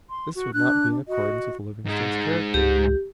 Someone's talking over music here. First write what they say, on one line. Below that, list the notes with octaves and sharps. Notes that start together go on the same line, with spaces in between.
This would not be in accordance with Livingstone's character.
C6
F#4
D4 F#6
F#4 D#5
G#2 G#3
C#2 G4